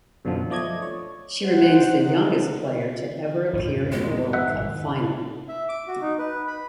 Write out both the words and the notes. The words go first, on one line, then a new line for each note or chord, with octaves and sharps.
She remains the youngest player ever to appear in a World Cup Final.
F#2 B2 D3 D#3 F3
F3 A3 D5 D#5 G#6
C#5
C5 F#5
D#4
G#1 F2 A#2
G#3
D#3
E5 F#5
E5
D6
F#4
D#4
B4
B5